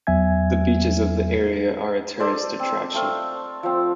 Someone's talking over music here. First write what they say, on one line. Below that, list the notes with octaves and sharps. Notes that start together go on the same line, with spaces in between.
The beaches of the area are tourist attraction.
E2 F#3 B3 E5 G#5 G#6
A4 C5 D5 D#5
C4
A3 C4 F5
F3 C4